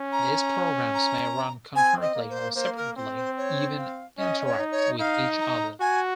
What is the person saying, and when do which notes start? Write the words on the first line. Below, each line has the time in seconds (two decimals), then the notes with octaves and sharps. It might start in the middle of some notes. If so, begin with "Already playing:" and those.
These programs may run concurrently or separately, even interact with each other.
Already playing: C#4
0.12 A#5
0.94 A#5
1.75 C4 G#5
2.02 D#5
2.15 A#3
2.29 C5
2.55 A#3 C5
2.77 A#4
2.96 C4 C5
3.16 C5
3.37 C#5
3.78 F5
4.18 C#4 D#5
4.41 D#5
4.45 C#5
4.59 D#4
4.71 C#5
4.99 D#4 F5
5.40 A#5
5.80 F#4 G#5